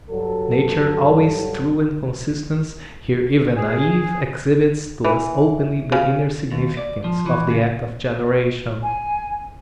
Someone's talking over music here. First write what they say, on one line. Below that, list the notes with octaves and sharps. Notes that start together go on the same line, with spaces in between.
Nature, always true and consistent, here even naive, exhibits to us openly the inner significance of the act of generation.
G2 F#3 A4
G#4
E3
C#3
D#2
D5
F3
E3
C#3
G#5